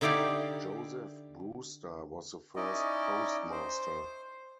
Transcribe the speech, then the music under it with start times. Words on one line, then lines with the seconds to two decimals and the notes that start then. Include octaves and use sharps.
Joseph Brewster was the first postmaster.
0.01 D3 D#4 E4 G4 D5 F5
2.56 C#4 D#4 E4 D5 D#5
3.52 C5